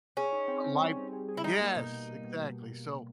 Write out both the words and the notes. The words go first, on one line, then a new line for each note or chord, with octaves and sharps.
l life Yes, exactly. So,
C#4 G#4
D#4
C4
C4
G3
C4
G#4
G#4
E4
G3 D#4
A#3
B2
B2
B2
B2
B2